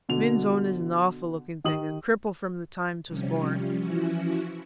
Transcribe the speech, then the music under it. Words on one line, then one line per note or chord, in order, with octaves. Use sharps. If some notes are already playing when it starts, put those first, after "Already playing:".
Min's own is an awful-looking thing--a cripple from the time 'twas born.
B2 D3 F7
D#3 G4 D#6 F#7
C3 F3 G3 C#4
E3 F3 C#4 E4 F#4